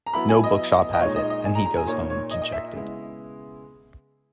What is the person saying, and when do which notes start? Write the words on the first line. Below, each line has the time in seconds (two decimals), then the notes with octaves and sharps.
No bookshop has it, and he goes home dejected.
0.07 A#5
0.13 F#3 B3 E4 B5
0.29 G#5
0.44 D#5
0.93 D#5
1.00 A#2 G#3 D#4 C#5
1.16 D#5
1.30 D#5
1.45 G#5
1.55 A#5
1.65 A#5
1.77 G#5
1.87 A#2 A#3 D#4 C#5
2.10 C#5
2.31 D#5
2.42 D#5
2.52 E5
2.75 C#3 G#3 B3 E4